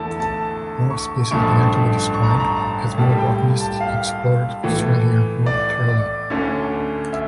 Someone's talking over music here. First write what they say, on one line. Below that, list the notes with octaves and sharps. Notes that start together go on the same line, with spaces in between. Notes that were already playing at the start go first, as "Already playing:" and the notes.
More species began to be described as more botanists explored Australia more thoroughly.
Already playing: E2 D3 A3 E4 A5
A5
C#6
A1 G2 F3 A3 C#6
C#6
A#5
A5
A#5
A5
A2 G3 A#3 A5
G5
A5
F5
A2 E3 A3
D5
D5
D2 D3 A3 C#4
E5